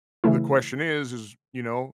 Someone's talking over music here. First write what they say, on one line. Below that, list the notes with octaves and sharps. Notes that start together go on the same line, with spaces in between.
The question is is you know,
C#3 E3 A3 E4